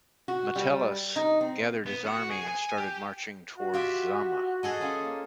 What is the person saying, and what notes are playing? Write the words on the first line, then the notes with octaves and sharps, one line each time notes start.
Metellus gathered his army and started marching towards Zama.
F#4
G3
D#4
C4
B3
F#4
G#4
G#5
G4
F#4
F4 G4 E5
G#4 A4 D#5
C#4 F4
A#3